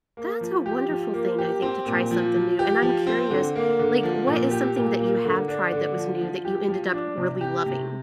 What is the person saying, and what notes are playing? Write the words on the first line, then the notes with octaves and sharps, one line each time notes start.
That's a wonderful thing, I think, to try something new and I'm curious, like, what is something that you have tried that was new that you ended up really loving?
A#3
F3
G4
F3
A#3
G4
C4
A#2
F3
F3
G4
F3
C4
D3
A#3
D3
F3
A#2
G4
A#2
A#3
D3
D4
D3
F3
F3
G4
F3
D4
C3
G4
C3